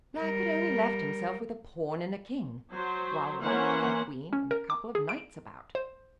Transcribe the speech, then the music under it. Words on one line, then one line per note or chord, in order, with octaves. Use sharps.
Black had only left himself with a Pawn and a King, while White had a Queen and a couple of Knights about.
G3 A#4
F#3 F#4 C5
E3 A#3 C#4 C5 F#5
C#4
A#4
D6
G#4
D7
C5